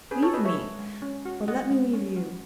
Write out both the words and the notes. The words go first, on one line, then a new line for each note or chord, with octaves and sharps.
Leave me! or let me leave you.
C#4 G#4 B4
A4 C#5
F#4 B4 D#5
C#5 E5
G#3
G#3
C#4
F#4
G#3 D#5 F#5
G#3
C#4
F#4